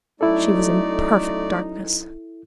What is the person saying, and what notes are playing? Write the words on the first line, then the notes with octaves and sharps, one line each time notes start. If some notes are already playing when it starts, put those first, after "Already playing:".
She was in perfect darkness.
F#3 A3 C#4 D#4 E4 A4 D5